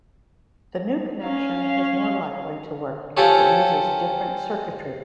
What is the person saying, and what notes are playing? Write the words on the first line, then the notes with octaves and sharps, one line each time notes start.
The new connection is more likely to work because it uses different circuitry.
C#4 F5
C4 C#4 F4 G4 A4 C#5